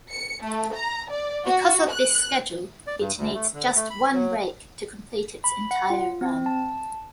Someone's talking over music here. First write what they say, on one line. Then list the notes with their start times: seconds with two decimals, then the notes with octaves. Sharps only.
Because of this schedule, it needs just one rake to complete its entire run.
0.11 C#7
0.43 A3
0.73 A#5
1.10 D5
1.46 F#4
1.90 F#6
2.87 D5
3.00 G2
3.17 D2
3.35 A3
3.54 D3
3.76 A3
3.90 B5
4.13 F#3
5.44 B5
5.71 F#5
5.90 F4
6.21 C4
6.46 A5